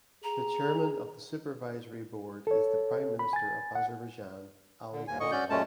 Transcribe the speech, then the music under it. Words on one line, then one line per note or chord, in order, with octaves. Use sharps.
The Chairman of the Supervisory Board is the Prime Minister of Azerbaijan Ali Asadov.
G#4 A#5
A4 C#5
B5
G#5 A6
F#5
D3
D#2 G#5
A#2 D3 D#5 C#6
C#4 F#4 D5 G6
F#2 A#2 G#3 A3 C#4 A5